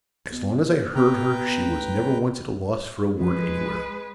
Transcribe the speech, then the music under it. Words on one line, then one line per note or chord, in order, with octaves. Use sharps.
As long as I heard her she was never once at a loss for a word anywhere.
B2
A#2
B2 B4 G5 A#5
A1
F3 G#3 B4